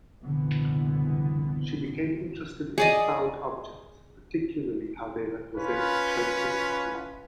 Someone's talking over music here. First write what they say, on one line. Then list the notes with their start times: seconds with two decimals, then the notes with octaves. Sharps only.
She became interested in found objects, particularly how they represent traces of life.
0.23 F#1 C2 A#2 D3 E3 B3
2.78 G#4 D5 D#5
5.56 C#4 F4 B4